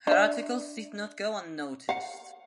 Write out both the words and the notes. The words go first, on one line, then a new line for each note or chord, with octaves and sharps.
Her articles did not go unnoticed.
D4 E5
F5 F#5